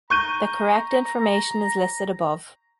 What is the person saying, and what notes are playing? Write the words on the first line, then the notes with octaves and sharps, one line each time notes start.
The correct information is listed above.
A#5 C#6 G6 D#7